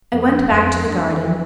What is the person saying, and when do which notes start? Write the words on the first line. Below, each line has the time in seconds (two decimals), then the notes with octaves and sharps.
I went back to the garden.
0.13 F2
0.51 F2
0.90 D3
1.28 E3